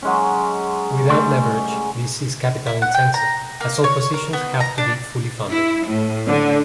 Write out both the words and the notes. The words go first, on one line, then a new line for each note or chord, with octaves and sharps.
Without leverage this is capital intensive as all positions have to be fully funded.
F#3 G#3 C#4
G3 A3 C6
E4
F#5
G5
A#5
A#3
C#5
A#4
B3
A#5
D4
E4
A2
D3